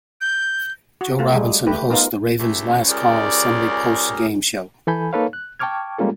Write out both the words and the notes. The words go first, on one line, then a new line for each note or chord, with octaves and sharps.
Joe Robinson hosts the "Ravens' Last Call" Sunday post-game show.
G6
F#4
A3 F4
G3 G#3
A3 G4 B4
B3 D#4 F4 A#4
C#2 A3 G4 E5
G4 G#4 A#4 D5
E3 A4 G#5 B5 G6
A#3 D#4 A4 B4 C#5 F5
F#6
G5 A5 C#6 D6 F6 G#6
G3 G#3 A#3 C#4 F4 A4